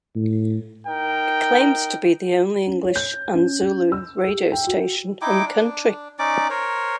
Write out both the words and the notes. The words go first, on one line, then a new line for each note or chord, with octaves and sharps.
It claims to be the only English and Zulu radio station in the country.
A2
D#4 A#4 G5
C#4
C#5
G6
C#4
C#4
E6
G4
G5
F#4
D#4 E4 G5 D6
D4
C#4 D#4 D5 D6
A#4 C5 C#5